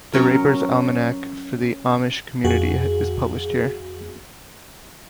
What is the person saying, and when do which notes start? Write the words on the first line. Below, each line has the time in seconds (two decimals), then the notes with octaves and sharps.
The Raber's Almanac for the Amish community is published here.
0.13 F#3 C#4 A#4
2.44 F2 F#4 G#4